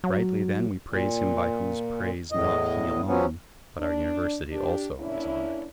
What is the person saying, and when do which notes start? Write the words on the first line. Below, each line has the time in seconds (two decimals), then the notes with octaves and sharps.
Rightly then we praise him by whose praise not he alone, but our University also is honored.
0.04 F#3
0.90 A#2
2.32 E2 A2 D#5
3.07 F3 F#3 B3 C#4
3.79 D4
4.51 D4 G4
4.97 A#3 C#4 D4 E4